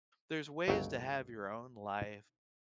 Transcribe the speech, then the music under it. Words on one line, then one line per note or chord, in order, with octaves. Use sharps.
there's ways to have your own life
G1 C#2 F#3 G5